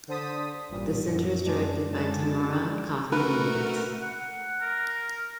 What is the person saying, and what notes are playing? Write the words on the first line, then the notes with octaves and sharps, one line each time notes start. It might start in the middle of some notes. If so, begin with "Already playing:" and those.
The Center is directed by Tamara Cofman Wittes.
D3 C5 A5 D#6 B6
A1 G2 A#2
F#2
F#2 G#3 D4
F#2 D3 G#3 D4 A6 E7
A3 F#4 A#4 B4
F#5
F#5
A#4